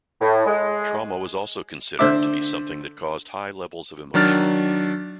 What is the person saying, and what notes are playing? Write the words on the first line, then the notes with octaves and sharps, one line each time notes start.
Trauma was also considered to be something that caused high levels of emotion.
A2
G#3
D3 C5 E5 D6
D#3 F#3 D4 F6 A6